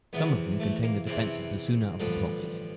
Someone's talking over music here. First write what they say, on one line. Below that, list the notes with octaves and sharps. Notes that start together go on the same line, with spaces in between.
Some of them contain the defense of the Sunnah of the Prophet.
E2 C3 E3 B3
A3
A#3
E2 C3 E3 C4
A1 G2 D3 F3